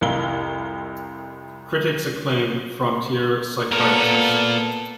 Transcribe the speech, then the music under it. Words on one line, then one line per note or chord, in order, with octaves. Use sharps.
Critics acclaimed "Frontier Psychiatrist".
C2 F2 E4 A#4 F5 G7
A#2 B3 A4 A#4 A5